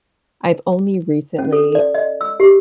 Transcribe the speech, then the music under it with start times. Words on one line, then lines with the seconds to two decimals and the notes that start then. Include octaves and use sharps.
I've only recently
1.39 C#4
1.53 A4
1.75 D5
1.95 D#5
2.21 E6
2.40 G4